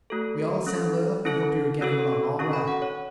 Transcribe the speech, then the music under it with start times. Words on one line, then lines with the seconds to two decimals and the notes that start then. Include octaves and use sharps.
We all send love, and hope you are getting along all right.
0.10 A3 F#4 A4
0.67 C#4 A4
1.25 C#4 E4 A4
1.81 C#4 F#4 A4 E6
2.39 C#4 F#4 A4 C#6
2.53 B5
2.68 F#5
2.82 C#5